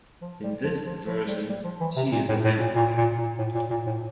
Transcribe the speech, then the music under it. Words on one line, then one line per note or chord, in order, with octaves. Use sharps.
In this version she is a vampire.
F3
G3
F3
F3
F3
G3
G3
F3
E3
C3
A#2
A2
A2
A#2
A#2
A#2
A#2
A2
A#2
A#2
A2